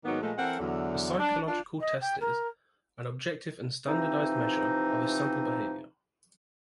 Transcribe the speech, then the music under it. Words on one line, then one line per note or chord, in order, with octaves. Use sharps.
A psychological test is "an objective and standardized measure of a sample of behavior".
G#2 D#3 F#3 A#3 B3 D#4
A#2 F3 G#3 A3
E3 C4 A4 A#4 F#5
E2 D3 F#3
D4
D4 F4
D#5
G5
A#4
C3 E3 F3 C4 D#4